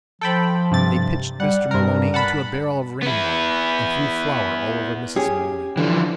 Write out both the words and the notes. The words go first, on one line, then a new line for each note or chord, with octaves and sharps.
They pitched Mr. Maloney into a barrel of rain water and threw flour all over Mrs. Maloney.
F3 A4 G5 B5
G2 C3 A6
G3 F#5
G2 G3 A#4
F#5 A5 B5
B3 E4
C#4 G4 G#4
D3 E3 F3